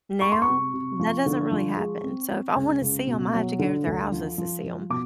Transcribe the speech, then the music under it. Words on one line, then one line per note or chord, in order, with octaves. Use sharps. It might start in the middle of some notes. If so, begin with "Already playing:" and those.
Now, that doesn't really happen. So, if I wanna see 'em, I have to go to their houses to see 'em,
G#3 C#6
C6
C#6
C3
C3
F3
D3
F3
G#3
C4
C4
C#2
C#2
B2
F#3
D3
D2
F3
F3
F3
B2 D6